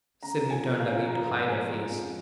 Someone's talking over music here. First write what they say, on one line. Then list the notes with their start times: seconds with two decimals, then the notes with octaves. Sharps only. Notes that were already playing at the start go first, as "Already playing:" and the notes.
Sydney turned away to hide her face.
0.23 C#3 A#5
0.45 F3
0.51 G#5
0.65 F3
0.80 F5
0.86 C#3
1.07 F3 A#5
1.29 G#2
1.49 G#3 G#5
1.70 F3
1.91 F2